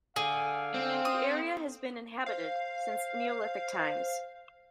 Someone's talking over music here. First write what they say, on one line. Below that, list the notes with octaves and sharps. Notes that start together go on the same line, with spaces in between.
The area has been inhabited since Neolithic times.
D3 G#4 F5
C4
D#6
C5 F5